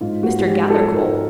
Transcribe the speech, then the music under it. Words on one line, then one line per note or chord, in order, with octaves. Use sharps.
"Mr. Gathercole!"
G#2 F4
G#2 F#4
F#4
G#3 G4
F3 A4
G#2 A#4
A#4